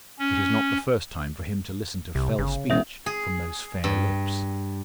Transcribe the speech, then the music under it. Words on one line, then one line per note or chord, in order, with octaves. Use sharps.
It is not the first time for him to listen to fell speech from those fair lips.
C#4
C2 C3
G1 C#3
E1 B2 C#4 E5
G#4
G2